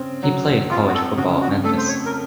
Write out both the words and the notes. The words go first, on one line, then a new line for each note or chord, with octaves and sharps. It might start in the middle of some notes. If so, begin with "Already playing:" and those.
He played college football at Memphis.
Already playing: C#3 C4
F#3
F2 F4
F#4
A4
C#3 F#4
F#4
A3 A4
C5
C#5
A#4